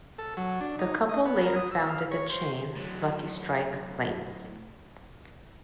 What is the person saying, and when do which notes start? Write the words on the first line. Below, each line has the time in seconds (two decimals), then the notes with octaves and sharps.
The couple later founded the chain Lucky Strike Lanes.
0.18 A4
0.37 F#3
0.61 D4
0.79 D#4
1.09 D#5
1.25 B3
1.43 A#4
1.56 D#6
1.72 E6
1.89 F5
2.11 C#5
2.30 C5
2.76 A2 F#3